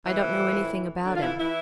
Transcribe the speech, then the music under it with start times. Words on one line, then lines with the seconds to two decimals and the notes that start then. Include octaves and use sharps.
"I don't know anything about him."
0.06 A2 E3 E4
0.22 F3
0.39 A2
0.56 F2
0.72 E3
0.89 F2
1.05 D3 F3 D4
1.16 F4
1.22 F2 E3 E4
1.38 E3 E4